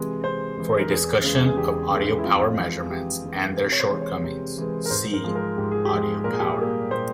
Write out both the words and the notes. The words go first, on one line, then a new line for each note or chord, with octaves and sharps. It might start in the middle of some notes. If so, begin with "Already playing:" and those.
For a discussion of audio power measurements and their shortcomings, see Audio power.
Already playing: C3 E3 G#3
C3 C5
E3 G#3
A#4
E2 G#4
C#3 E3 G#3
G#4
E2 G4
C#3 E3 G#3
E4
F2 F4
E3 G#3
G#4
F2 G4
E3 G#3
C3 A#4
C#5
C5
E3 G#3
C#5
C3
E3 G#3
A#4
G#2 C5
A#4
F3 G#3
A#4
G#2 G4
G#4
G4
F3 G#3
A#2 A#4
G#4
G4
G#4
G3 A#3
A#2 C5